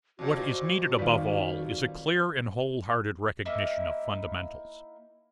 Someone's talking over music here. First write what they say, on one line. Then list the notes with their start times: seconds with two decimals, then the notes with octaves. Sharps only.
What is needed above all is a clear and wholehearted recognition of fundamentals.
0.19 F2 A#2 F#4
0.99 D#3 G3 F4 B4
3.45 A#3 D#4 E4